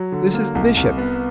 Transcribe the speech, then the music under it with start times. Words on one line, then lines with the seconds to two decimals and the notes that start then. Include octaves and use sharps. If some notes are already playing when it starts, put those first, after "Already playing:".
This is the Bishop.
Already playing: F#3
0.12 D3
0.34 A#3
0.55 C2
0.77 C2
0.98 B3